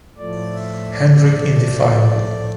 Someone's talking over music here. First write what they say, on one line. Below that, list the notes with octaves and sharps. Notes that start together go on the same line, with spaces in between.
Hendrick in the final.
A2 F3 A3 D5
E5
D5